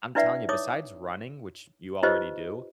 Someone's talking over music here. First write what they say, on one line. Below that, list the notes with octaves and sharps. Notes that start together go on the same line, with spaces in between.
I'm telling you, besides running, which you already do,
D4 E4 B4 D5 E5 F#5
D#4 C#5 D6 D#6
D#4 F4 G4 B4 C5 D#5